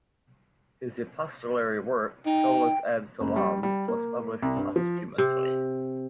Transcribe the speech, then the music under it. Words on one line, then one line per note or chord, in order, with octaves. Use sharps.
His epistolary work, "Solus ad solam", was published posthumously.
D#4 G5
F#1
G3
G3
A#3
C2
G2
F3
C3